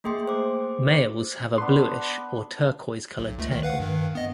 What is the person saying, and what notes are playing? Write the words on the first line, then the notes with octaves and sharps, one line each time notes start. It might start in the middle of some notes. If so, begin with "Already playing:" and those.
Males have a bluish or turquoise coloured tail.
A3 A#3 G#4 G5 C6
C5 D6
B3 D4 B4 C6
B1
C#2 A3
D#3
B4 F5 F#5
G2 D#3
B3 D#5